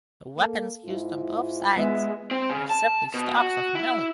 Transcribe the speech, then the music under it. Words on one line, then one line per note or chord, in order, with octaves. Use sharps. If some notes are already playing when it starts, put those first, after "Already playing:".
The weapons used on both sides are simply stalks of millet.
A#3 A4
G#2 E4 F4
G#3 B3 E5
C4
C#3
A5
B2
F#4
E4